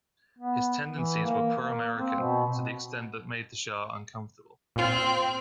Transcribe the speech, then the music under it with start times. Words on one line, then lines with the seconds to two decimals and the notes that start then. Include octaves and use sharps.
His tendencies were pro-American to the extent that made the Shah uncomfortable.
0.39 B3
0.91 E3
1.24 A#3
1.64 A#3
1.96 C4
2.20 B2
4.76 A#2 C4 F4